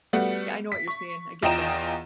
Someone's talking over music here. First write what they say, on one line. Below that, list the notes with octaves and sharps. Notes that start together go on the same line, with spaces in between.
I know what you're saying, I get that.
G3 A3 B3 F#4
B6
C#6
E2 F4 D#5 G5 A#5 E7